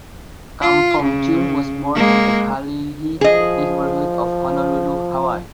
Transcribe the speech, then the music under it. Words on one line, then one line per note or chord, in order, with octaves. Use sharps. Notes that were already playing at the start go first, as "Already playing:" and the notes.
Kam Fong Chun was born in the Kalihi neighborhood of Honolulu, Hawaii.
F4
C#3
G#3 A#3
F3 G#4 D#5